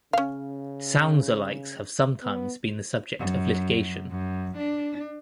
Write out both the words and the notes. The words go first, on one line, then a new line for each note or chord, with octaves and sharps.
Sounds-alikes have sometimes been the subject of litigation.
C#3 C#4 F5
B3
F#2
F#2
D4